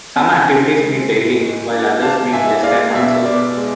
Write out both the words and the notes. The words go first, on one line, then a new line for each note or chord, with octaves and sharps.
Some activities meet daily while others meet less than monthly.
C4 G#5 B5
C4
G#3
A2
G#2
D4
D4 F5 A5
G#2 E5 G#5
G#3 D5 F5
B2 E5
B2 D5
G#3